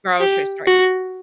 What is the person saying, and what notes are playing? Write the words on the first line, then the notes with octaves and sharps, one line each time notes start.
grocery store
G4
F#4